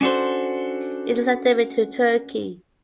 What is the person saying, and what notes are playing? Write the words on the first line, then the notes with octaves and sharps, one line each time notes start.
It is endemic to Turkey.
C#4 D4 F#4 A4 C5